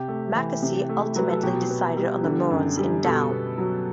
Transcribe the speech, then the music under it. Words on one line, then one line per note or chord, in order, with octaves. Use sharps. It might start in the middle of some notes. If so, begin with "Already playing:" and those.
Macassey ultimately decided on the Mournes in Down.
Already playing: C3 G4
A3
E3
C3
A3
F#3 B4
A4
B2 G4
B3
G3
D3
F#2
G3
B2 A4
B3
F#3